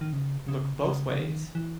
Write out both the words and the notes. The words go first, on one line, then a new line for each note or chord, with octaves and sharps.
Look both ways.
D#3
C#3
C#3
C#3
C#3
D#3
E3